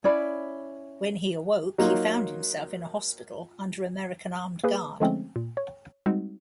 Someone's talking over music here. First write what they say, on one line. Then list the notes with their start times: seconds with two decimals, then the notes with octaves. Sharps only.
When he awoke, he found himself in a hospital under American armed guard.
0.04 C#4 E4 D5 B5
1.78 F#3 A#3 D#4 F4
4.64 A#3 G#4 B4
5.00 D3 F3 G#3 A3 C4 C#4
5.36 A#2
5.57 C#5
6.06 G3 G#3 C4 D#4 F#4